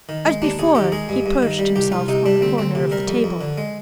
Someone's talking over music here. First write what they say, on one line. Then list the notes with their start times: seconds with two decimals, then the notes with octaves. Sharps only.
As before he perched himself on the corner of the table.
0.09 D#3
0.26 G#3
0.42 D#2 D4
0.59 D#2 G#4
0.75 D#3 G4
0.92 G#3 G#4
1.09 G2
1.26 G2
1.42 D#3
1.59 G3
1.76 C2 G4
1.92 C2 F4
2.08 C3 D#4
2.26 G3 D4
2.41 D2 C4
2.58 D2 C4
2.75 C3
2.91 G3 A#4
3.08 F2
3.24 F2
3.41 D3
3.58 G#3